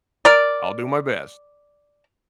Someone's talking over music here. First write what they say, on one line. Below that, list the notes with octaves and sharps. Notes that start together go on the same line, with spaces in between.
I'll do my best.
A#4 D5